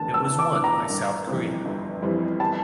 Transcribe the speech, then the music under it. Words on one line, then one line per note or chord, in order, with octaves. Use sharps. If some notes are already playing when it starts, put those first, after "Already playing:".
It was won by South Korea.
Already playing: F1 E2 D3 A5
F1 E6
D6
E2 D3
A#5
G1
F2 E3 G3 C4
G1
F2 E3 G3 C4
A5